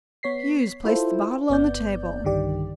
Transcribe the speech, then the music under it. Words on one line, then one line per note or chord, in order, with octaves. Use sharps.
Hughes placed the bottle on the table.
B3 C#5 B6 C7
E4 F4 A4 C5
G1 B3 D5 G6
B1 G2 D3 D#3 G4 D5